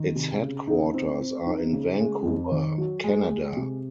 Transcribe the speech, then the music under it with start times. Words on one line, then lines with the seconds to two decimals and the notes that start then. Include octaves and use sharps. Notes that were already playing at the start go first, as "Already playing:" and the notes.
Its headquarters are in Vancouver, Canada.
Already playing: D#3
0.15 C3
0.42 C#3
0.68 D#4
0.94 C4
1.21 C4
1.46 D#4
1.72 C#3
1.99 G#3
2.26 F2
2.52 D#3
2.78 F#3
3.04 G#3
3.30 G#3
3.57 C3